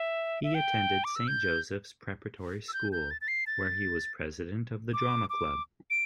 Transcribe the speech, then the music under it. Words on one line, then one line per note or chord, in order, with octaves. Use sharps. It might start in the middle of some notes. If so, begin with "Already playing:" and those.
He attended Saint Joseph's Preparatory School, where he was president of the drama club.
Already playing: E5
E5
G5
D6
E6
G6
E6
G6
G6
A6
A6
C7
A6
D6
D6
D7